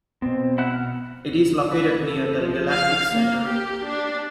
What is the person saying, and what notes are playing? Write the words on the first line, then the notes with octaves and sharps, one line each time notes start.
It is located near the Galactic Center.
B2 B3 C4
E4 F#5 F#6
F6
B4
A4
F3
F5
A#3
G4
D4